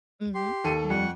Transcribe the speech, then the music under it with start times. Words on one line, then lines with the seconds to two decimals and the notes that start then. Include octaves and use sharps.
Mhm, mhm.
0.35 G4 C6
0.64 D#2 A4 C#7 D#7
0.90 F2 G3 F#5 C#6